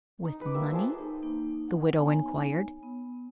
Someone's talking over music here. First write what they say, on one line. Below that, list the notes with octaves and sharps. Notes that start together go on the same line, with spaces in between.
"With money?" the widow inquired.
D#4
B4 D6
G3 A#3 E5
F3 G#4 A5
D#4
A#3 D#4
F#5
B3 D#4 C#5 G#5
B3